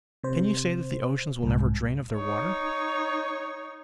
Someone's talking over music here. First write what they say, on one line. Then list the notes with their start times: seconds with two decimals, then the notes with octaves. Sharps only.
Can you say that the oceans will never drain of their water?
0.23 C3 C5
1.43 C2 G#2
2.16 D#4 C#5